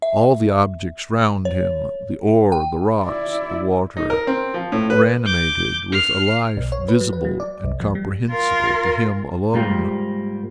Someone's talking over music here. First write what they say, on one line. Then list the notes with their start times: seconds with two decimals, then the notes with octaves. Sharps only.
All the objects round him--the ore, the rocks, the water--were animated with a life visible and comprehensible to him alone.
0.02 E5
1.45 C#5
2.52 G5
3.04 E4 D5
3.97 D#4
4.10 A#4
4.27 C4
4.54 F3
4.72 A2
4.90 B4
5.26 D6 G6
5.92 F6 C7
6.57 B1
6.72 C#5
6.88 B4
7.01 F#3
7.13 B4
7.25 F#3
7.40 D5
7.64 C2
7.80 F3
7.95 G3
8.31 F4 A#4
9.54 G#2 G3 A#3 F4